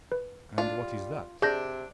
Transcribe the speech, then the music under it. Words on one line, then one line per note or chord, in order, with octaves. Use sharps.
"And what is that?"
B4
D4 F4
G3
C3 D4 G#4 G6 A#6